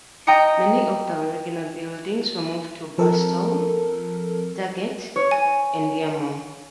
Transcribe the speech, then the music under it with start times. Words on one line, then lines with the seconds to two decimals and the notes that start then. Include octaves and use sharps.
Many of the original buildings were moved to Barstow, Daggett and Yermo.
0.27 D#5 G5 A#5 D#6 C#7
2.98 F3 C4 A4 A#4
5.16 C#5
5.31 G#5